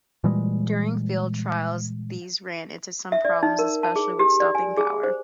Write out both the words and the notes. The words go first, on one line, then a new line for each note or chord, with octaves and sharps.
During field trials these ran into some problems, especially with stopping power.
A#2 E3 G3 G#3
E5
D5
D#4
A#4
A5
G#4
G4
D5
G#5
G#4
C5